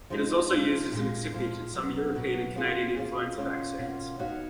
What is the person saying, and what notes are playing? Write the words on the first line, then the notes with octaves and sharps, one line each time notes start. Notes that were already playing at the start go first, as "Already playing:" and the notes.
It is also used as an excipient in some European and Canadian influenza vaccines.
F3 G#3 D#4
F3 G#3 D#4
A#2 F3 G#3
A#2 F3 G#3
B2 F#3 B3
B2 F#3 B3
A#3 C#4 F4 G#4
A#3 C#4 F4 G#4
B2 A#3 C#4 F4
B2 A#3 C#4 F4
B3 D#4 F#4 C#5 F5